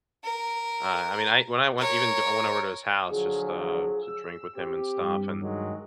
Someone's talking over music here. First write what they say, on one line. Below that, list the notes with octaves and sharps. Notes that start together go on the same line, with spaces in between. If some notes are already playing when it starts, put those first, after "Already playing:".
uh, I mean, I when I went even go I went over to his house, just, uh, to drink with him and stuff, and,
A#4
A#4 C#5
D3 F3 F#3 G#4
E6
C4 G4
G2
D#3 F#3 G#3